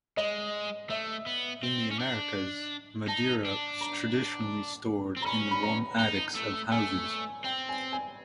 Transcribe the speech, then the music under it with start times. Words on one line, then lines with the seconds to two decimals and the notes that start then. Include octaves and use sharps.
In the Americas, Madeira was traditionally stored in the warm attics of houses.
0.17 G#3 D#5
0.90 A3 E5
1.26 B3
1.63 C4
1.91 C#4
1.99 D4
3.08 D#4 A5
3.45 D4
3.81 A#5
5.17 C4
5.22 A#5
5.26 C#4 B5
5.51 B5
5.63 A#5
5.99 D#4
6.35 A3
6.72 A3 G#5
7.44 C4 G5
7.69 G#5
7.93 G#5